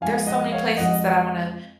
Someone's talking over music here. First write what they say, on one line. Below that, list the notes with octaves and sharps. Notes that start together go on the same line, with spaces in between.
there's so many places that I wanna
F2 F3 G#3 F5 G#5
D#5 F#5
C#5 F5
F2 F3 G#3 D#5 F#5